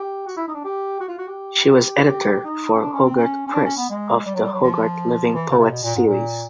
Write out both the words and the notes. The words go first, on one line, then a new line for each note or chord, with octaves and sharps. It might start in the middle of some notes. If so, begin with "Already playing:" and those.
She was editor for Hogarth Press of the Hogarth Living Poets series.
Already playing: G4
F#4
E4
D#4
D4
G4
F#4
F4
F#4
G4
G4
D#4
C#4
D4
C#4
C4
C#4
C#4
D4
C#4
B3
G#3
G3
F#3
G3
F#3
F3
E3
C#3
C3
B2
A#2
G#2
A#2